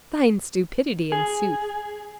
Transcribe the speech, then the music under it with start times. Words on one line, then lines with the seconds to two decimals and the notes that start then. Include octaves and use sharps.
Fine stupidity, in sooth!
1.12 G#4